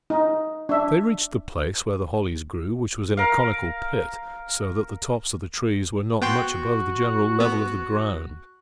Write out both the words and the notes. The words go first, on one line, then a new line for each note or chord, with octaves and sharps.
They reached the place where the hollies grew, which was in a conical pit, so that the tops of the trees were not much above the general level of the ground.
D#4
D4 E5
A#4 F5
B3 F#4 G5 C6
B3